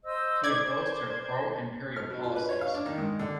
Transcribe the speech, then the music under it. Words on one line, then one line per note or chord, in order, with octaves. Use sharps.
He opposed her pro-Imperial policies.
C5 D#5 E6
D#4 D5 G#6
C5
F6
B2
F4
B4
C#5
F5
D4
D#3
G#2
D3